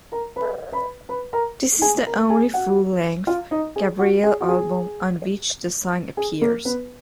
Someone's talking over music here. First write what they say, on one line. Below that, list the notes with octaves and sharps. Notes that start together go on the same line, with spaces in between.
This is the only full-length Gabriel album on which the song appears.
A#4 A#5
B4 B5
B4 B5
B4 B5
A#4 A#5
G#4 G#5
A#4 A#5
G#4 G#5
F#4 F#5
F4 F5
D#4 D#5
G#4
F#4
G#4
F#4
G#4
G#4
A#3 A#4
B3 B4